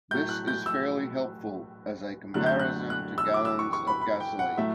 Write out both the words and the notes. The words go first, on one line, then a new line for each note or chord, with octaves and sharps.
This is fairly helpful as a comparison to gallons of gasoline.
A2 F#3 A3 G6
F#6
G6
E6
F#2 D3 F#3 A3 F#6
G6
F#6
F#6
E6
D6
E6
C#6
C#6
B5
B5
G5
F#5
A2 F#3 A3 E5